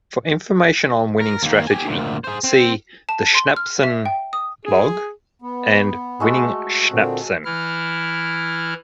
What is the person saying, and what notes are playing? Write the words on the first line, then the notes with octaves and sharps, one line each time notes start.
For information on winning strategy, see "The Schnapsen Log" and "Winning Schnapsen".
A#4
D#2 A#3
G4 G#5
D2 A#2
G#4 C5
C4
A5
C6
F6
E5
G5
D#6
G#4
B3
G#3 A3 F#4
A#2 D3 C4
E3 E4 F6